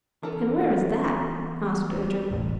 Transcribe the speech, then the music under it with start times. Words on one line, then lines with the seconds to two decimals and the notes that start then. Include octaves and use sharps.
"And where is that?" asked Ojo.
0.23 E3 B3 A4 A#4
2.31 E1 A1